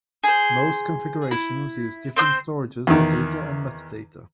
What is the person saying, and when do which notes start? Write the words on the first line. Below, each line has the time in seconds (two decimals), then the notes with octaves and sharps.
Most configurations use different storages for data and metadata.
0.24 G#4 C5
1.31 E4
2.17 C4 C5 D#6 G6
2.87 E2 D#3